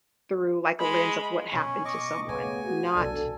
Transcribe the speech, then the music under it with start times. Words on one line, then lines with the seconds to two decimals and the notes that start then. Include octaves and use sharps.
through, like, a lens of what happened to someone, not
0.80 G#3 B5
1.52 B2 C#4
1.85 D#5 C#6 D6
2.29 C#3 A3 B3 G#5
2.65 F#4
2.94 B1 E2 D4 A4